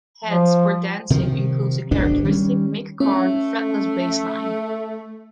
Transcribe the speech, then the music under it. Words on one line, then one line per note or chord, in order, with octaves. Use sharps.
"Heads We're Dancing" includes a characteristic Mick Karn fretless bassline.
F3
C3 D#3 F3
D1 G#1 B2 D4
D#3 G3 C#4
A3 C#4